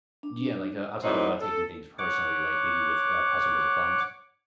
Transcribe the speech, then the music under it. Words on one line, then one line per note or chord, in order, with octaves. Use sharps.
Yeah, like, uh, outside of, uh, taking things personally, like, maybe with, uh, customers or clients?
D4
E3 F#3 A3 C4 D4 D#4
A4
C#5 F#5 D6